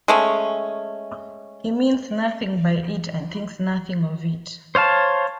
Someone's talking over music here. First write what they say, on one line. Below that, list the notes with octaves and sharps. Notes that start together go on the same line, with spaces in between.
He means nothing by it and thinks nothing of it.
G#3 A3 C#4
C5 C#5 F5 A5